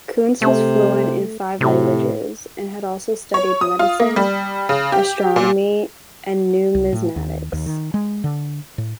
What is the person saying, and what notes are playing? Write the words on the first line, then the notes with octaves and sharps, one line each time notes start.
Kunze was fluent in five languages and had also studied medicine, astronomy and numismatics.
C3 A3
A2 C3
C#5
D#6
F4
A#3
G3
C#3
G4
A#2
C2
A2
D#2
D#2
D#3
G#3
D3
A2